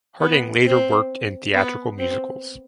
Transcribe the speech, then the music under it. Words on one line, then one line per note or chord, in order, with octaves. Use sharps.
Harding later worked in theatrical musicals.
B3
C4
B3
C4